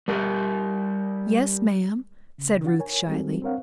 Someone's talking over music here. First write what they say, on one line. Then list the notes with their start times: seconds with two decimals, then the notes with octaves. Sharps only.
"Yes, Ma'am," said Ruth, shyly.
0.08 G3 A#4
2.38 C#3
2.64 D4 F4 F#5 A6
2.79 A#4 C#5 G#5
3.07 G3 G#3 C4 D#4 F#4 A4
3.42 C4 D4 A#4 C#5 F5 F#5